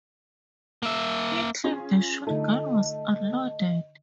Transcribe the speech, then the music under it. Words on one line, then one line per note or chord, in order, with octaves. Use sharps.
He claimed the shotgun was unloaded.
A#3 E5
C#4 F4 G#4
D3 A3 D#4 F4 D#5